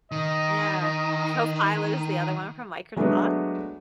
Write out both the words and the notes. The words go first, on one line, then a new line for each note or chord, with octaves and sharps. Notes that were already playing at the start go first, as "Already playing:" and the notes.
Yeah. Copilot is the other one from Microsoft.
D#3 D#5
F#3 G#3 A3 B3 D4